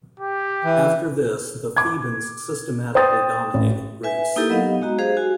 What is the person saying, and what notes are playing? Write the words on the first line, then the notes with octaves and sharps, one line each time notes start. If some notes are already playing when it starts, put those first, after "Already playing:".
After this, the Thebans systematically dominated Greece.
G4
E3
D6 G#6
C5 G5 D#6 A6
A1
B4 E5 G#5
A#3 D#4 E4 G4 A4 A#4
F#3 B3 D#5 F5 F#5
G#3 D#4 F#4 D#5 A#5
G4 G#4 C5 F5
F#4 G#5